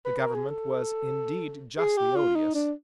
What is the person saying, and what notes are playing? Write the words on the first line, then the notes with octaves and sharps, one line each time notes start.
The government was indeed justly odious.
B4
A#4
G#4
A4
G#4
G4
F4
D#4
D4